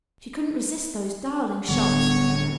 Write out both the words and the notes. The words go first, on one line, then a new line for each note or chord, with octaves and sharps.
She couldn't resist those darling shops.
D1 D3 G3 B3 C#5